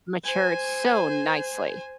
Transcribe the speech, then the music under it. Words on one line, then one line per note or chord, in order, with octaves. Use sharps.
matured so nicely.
C5 G#5